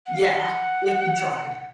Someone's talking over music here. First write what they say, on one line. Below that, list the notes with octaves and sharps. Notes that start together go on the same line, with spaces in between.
Yeah, if you tried.
F#5
F5
F#5